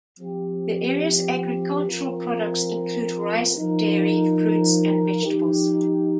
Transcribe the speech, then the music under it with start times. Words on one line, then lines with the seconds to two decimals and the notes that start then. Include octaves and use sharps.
The area's agricultural products include rice, dairy, fruits, and vegetables.
0.19 F3 C4 G4
1.87 F3 C4 F4 A#4
3.55 F3 D#4 A#4
5.23 F3 D#4 G4